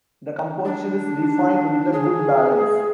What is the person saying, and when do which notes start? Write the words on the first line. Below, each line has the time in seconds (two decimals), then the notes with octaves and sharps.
The composition is refined with a good balance.
0.65 D4
1.93 G#4